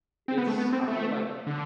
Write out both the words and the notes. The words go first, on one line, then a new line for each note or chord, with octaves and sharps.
it's I feel like
C4
B3
A3
B3
C4
A3
D3